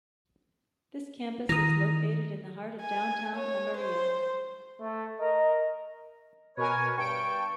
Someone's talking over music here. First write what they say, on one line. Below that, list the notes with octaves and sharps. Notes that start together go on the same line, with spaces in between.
This campus is located in the heart of downtown Amarillo.
D#3 E3 A#5 D#6
G#5
C#5
C5
A3
A#4 D#5
B2 A#4 B4 C#5 G#5
G2 G5 A5 C#6 D7